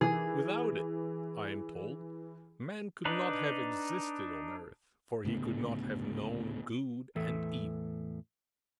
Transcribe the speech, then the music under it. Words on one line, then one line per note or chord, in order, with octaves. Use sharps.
Without it, I am told, man could not have existed on earth, for he could not have known good and evil.
E3 G#4
D4 D#4 B4
D2 A2 C#3 B3
E2 A2 E3 A4 E5